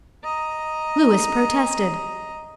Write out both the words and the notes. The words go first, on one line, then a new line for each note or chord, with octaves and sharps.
Louis protested.
D#5 A#5